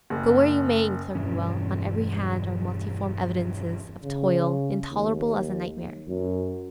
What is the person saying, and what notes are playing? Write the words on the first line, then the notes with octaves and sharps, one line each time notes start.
Go where you may in Clerkenwell, on every hand are multiform evidences of toil, intolerable as a nightmare.
F#1
E1 G2 E3 C#4
C#3
D#2
F#2